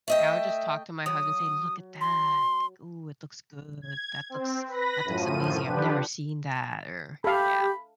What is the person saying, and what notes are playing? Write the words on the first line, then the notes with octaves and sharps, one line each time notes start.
Yeah, I would just talk to my husband, say, "Look at that." Like, "Ooh, it looks good, that looks that looks amazing, I've never seen that," or yeah.
A3 D#5 E5 G5
F#3 D#6
C6
G#6
C4
B4 B5 A#6
F#2 A2 F3 D#7
D3 F3 D4 G4 B4
G4 A4 F5 B5